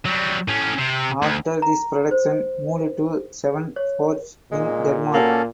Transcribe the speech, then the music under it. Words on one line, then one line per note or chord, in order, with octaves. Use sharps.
After this production moved to Svendborg in Denmark.
F#3 G3
A2 C#4
C3
D2
A#5
C5
C#5
A#2 G#3
A#3 C#4 F#4 A4